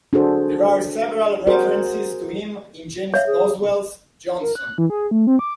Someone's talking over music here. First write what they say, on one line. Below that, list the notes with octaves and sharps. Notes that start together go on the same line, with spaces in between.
There are several references to him in James Boswell's "Johnson".
D4 F#4 G#4 A4 C5
F#4 G#4 A#4 C5
C#5 E5 F5
G#4
A#4
F#6
E3
G#4
A3
C4
D6